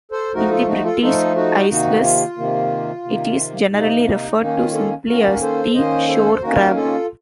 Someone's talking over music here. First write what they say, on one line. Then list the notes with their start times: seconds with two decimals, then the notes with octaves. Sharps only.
In the British Isles, it is generally referred to simply as the "shore crab".
0.12 A4 C5
0.34 F3 A3 D#4 F#4 A#4
0.51 F4 A4
0.68 D#4 F#4
0.85 F4 A4
1.02 F3 A3 D#4 F4 A4
1.36 D#4 F#4
1.70 C3 D#3 A#3 D#4 F#4
2.03 F4
2.37 C3 D#3 A#3
3.04 C3 D#3 A#3
3.73 C3 D#3 A#3 D#4
4.06 D#4
4.40 D#3 A#3 C#4 D#4
4.57 F4
4.74 F4 A4
5.08 D#3 A#3 C#4 F#4 A#4
5.42 A4 C5
5.74 D#3 A#3 C#4 C5 D#5
6.08 A4 C5
6.35 C5
6.42 D#3 A#3 C#4 F#4 A#4
6.76 F4 A4